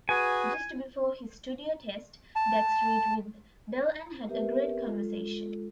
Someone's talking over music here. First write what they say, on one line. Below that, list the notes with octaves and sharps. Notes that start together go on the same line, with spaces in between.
Just before his studio test, Daggs read with Bell and had "a great conversation".
F#4 G#4 B4 G#5
A5
B3 C4 G4 A#4 B4 E5
G#3 F4 A4